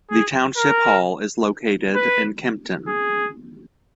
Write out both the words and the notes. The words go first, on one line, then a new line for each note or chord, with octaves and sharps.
The township hall is located in Kempton.
G#4
A#4
B4
G#4